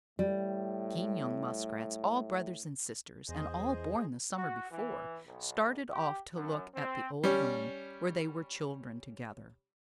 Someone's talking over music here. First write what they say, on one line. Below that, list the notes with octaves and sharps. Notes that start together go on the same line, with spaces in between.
Fifteen young Muskrats, all brothers and sisters, and all born the summer before, started off to look at the old home where they were children together.
A2 G3
E2 G#4 C5 D#5
F#4
E3
B1
G4
F#2
C4
G3 C#4